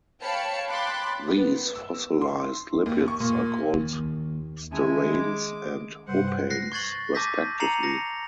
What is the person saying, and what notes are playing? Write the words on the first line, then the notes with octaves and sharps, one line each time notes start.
These fossilized lipids are called steranes and hopanes, respectively.
C#5 F5 G5 A5 B5 C#7
G5 B5 C6 D6 F#6 A6
B3
E6
C6
D#2
C#6
A#2
D#2
D#3 G#3 C#4 E4 G#5 A5
D6
G2 C3 G3 B4 C5 F#5
F#6 A#6 C7
C#6 G#6 A6 F#7
A5 D6 E6 G6 A#6 B6
A5 A#5 C7 C#7 F7 F#7
A#6